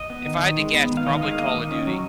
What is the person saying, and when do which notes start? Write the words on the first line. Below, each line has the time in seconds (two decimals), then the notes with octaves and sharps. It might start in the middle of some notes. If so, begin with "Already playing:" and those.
If I had to guess, probably Call of Duty.
Already playing: D#5
0.10 B3
0.26 D#3
0.41 D#3
0.58 G#3
0.74 B3
0.90 D#3
0.97 F5
1.06 D#3 D#5
1.23 G#3 F5
1.38 A#3 D#5
1.54 D#3
1.71 C#4
1.87 F#3